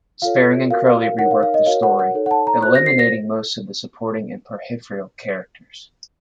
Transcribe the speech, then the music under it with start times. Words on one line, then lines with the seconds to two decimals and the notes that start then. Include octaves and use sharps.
Sperring and Crowley reworked the story, eliminating most of the supporting and peripheral characters.
0.22 F4 A4 C#5 F5
0.70 F#4 A#4 C#5 F5
0.87 F5
1.02 F5
1.18 D#4 A#4 C#5 F#5
1.31 F5
1.43 F5
1.54 D#5
1.66 F#4 A#4 C#5 F5
1.83 F#5
1.99 F#5
2.14 D#4 A4 C#5
2.26 F#5
2.31 A5
2.47 A#5
2.63 F#4 C5 F#6
2.75 A#6
2.86 C7
2.99 A#6